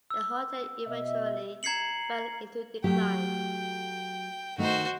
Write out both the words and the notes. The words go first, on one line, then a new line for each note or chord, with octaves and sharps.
The hotel eventually fell into decline.
E6
B2 D#5 E5
A#5 G#6 C7 C#7 F#7
F#3 A3 G4 G5
D#3 A3 D#4 F#4 C5